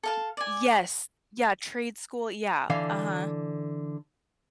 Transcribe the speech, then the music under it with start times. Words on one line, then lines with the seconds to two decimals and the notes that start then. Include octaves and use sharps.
Y yes. Yeah, trade school, yeah. Uh-huh.
0.03 A4 F5 A5
0.37 D5 G#5
2.70 D3 E3 F5